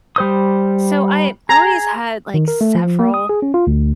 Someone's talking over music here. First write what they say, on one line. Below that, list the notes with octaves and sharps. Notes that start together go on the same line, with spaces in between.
so I always had, like, several
G3 C5 D#6
G#4 A#5
D#3
A#4
A3
F3
A#3
D#6
G#4
C#4
F4
D2